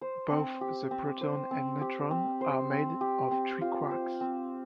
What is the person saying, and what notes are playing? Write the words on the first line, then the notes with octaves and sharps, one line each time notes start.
Both the proton and neutron are made of three quarks.
C5
C4
G4
C4
C5
C4
G4
C4
C5
C4
G4
C4
F4
C5
C4